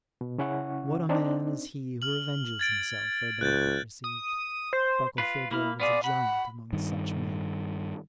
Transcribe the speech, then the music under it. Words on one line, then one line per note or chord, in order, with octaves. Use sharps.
What a man is he who revenges himself for a benefit received! Barkilphedro was a giant among such men.
B2
C#3 C#4 E4 F#5 C#6
C4 D4 D#4
F6 F#7
G#6 A6 D7
C#2 F#6 G6 A6
D#6
C5
F4 B4
A#3 E4 B5 F6
B3 F4 G#4 D5
F#5 B5
G2 D#3